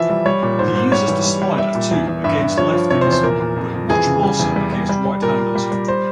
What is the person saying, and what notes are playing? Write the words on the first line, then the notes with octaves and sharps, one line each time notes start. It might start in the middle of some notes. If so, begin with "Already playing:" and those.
He uses the slider, too, against lefties, but much more so against right-handers.
Already playing: E3 F3 E5
G3
G3 C#5
A#2
G#2 C5
G#2 C5
G3 C#5
E3
G3
G3
G3 E5
A#2
E2
E2
G2 E5
G2
F3 C#5
F3
C3 C#5
C5
E2
C5
A#2 A#4
A#2
F2
F2
E3 G#4
C#3
G3
E2
G3
G3
G3
G3
A#2 A#4
A#2
G3
G3
C5